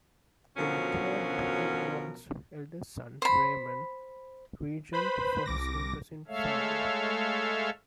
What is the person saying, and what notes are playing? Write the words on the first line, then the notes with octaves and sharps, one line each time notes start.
They declared Bohemond's eldest son, Raymond, regent for his imprisoned father.
B2 D3 F3 F#3 C#4 A#4
C5 B5
B4 C5 B5
C2 D6 A#6
G#3 A3 A4 C#5 E5 F5